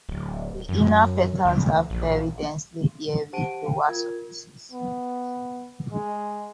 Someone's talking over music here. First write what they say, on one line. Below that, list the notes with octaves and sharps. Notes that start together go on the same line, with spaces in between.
The inner petals have very densely hairy lower surfaces.
D1
F#2
D2
A#1
G4 C5 F#5 A5 D7 D#7
F5 G5
F4 A#4 G#6
B3
G#3